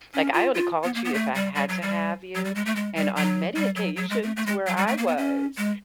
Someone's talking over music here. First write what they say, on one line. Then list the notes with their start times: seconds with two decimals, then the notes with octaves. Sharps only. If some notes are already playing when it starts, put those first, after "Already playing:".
Like, I only called you if I had to have you, and on many occasions where I was,
0.14 C#4
0.33 F4
0.54 F4
0.84 B3
0.95 A#3
1.05 B3
1.14 A3
1.35 G3
1.55 G3
1.69 F#3
1.82 G3
2.35 F#3
2.45 G3
2.55 G#3
2.66 A3
2.76 G#3
2.96 G3
3.16 F#3
3.56 G3
3.76 F#3
3.96 F#3
4.10 G#3
4.23 A3
4.37 A3
4.46 G#3
4.67 F#3
4.77 G3
4.87 A3
4.97 A#3
5.07 B3
5.17 C#4
5.57 G#3